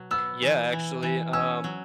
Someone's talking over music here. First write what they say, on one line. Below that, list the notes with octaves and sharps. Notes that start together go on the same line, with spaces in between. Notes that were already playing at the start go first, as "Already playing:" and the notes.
Yeah, actually, um,
Already playing: B2 F#3
B3 E6
E3
E3
E3
C#4 E6
F#3